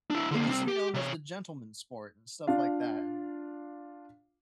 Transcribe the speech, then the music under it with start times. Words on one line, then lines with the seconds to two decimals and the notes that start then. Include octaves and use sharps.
it used to be known as the gentleman's sport and stuff like that, and
0.10 D4 E4
0.31 D3 A#3
0.48 C2 C4
0.68 G4
0.94 C3 C#5
2.47 D4 F4 F5